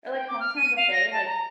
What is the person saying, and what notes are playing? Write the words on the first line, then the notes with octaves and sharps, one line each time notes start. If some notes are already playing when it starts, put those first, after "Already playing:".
Or, like, Hometown Buffet, like
G5
D6
F6
D#7
F5
A#6
A5
A#5